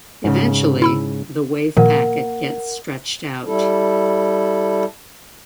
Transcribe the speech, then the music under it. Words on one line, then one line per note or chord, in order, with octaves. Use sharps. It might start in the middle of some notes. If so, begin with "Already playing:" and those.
Eventually, the wave packet gets stretched out.
G#2 C#3
E4 B5 E6
A#2 D#3 F3 A#3 A#4 F#5
G3 E4 A4